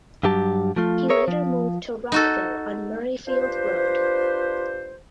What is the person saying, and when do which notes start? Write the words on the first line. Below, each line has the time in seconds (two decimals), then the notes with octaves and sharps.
He later moved to "Rockville" on Murrayfield Road.
0.23 G2 F#3 G4 A5
0.76 F3 A3 F4
1.09 G#4 A#4 C#5 E5
1.28 F3
2.12 D#4 F#4 A4
3.27 D4 F4 G4 B4 C5